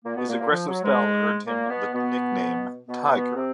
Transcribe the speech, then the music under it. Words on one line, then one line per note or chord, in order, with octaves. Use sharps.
His aggressive style earned him the nickname Tiger.
A#2 A#3
B2 B3
A#2 A#3
A#2 A#3
F3
F#3
G#2 G#3
A#2 A#3
B2 B3
B2 B3
B2 B3
B2 B3
C3 C4